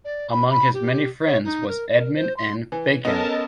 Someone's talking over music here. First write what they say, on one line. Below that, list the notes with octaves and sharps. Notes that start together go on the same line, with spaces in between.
Among his many friends was Edmund N. Bacon.
D5
B5
B5
G4
C#5
D#4
A#4
A#4
C5
C6
E3
B3 C#4 A4 A#4 D#5 A5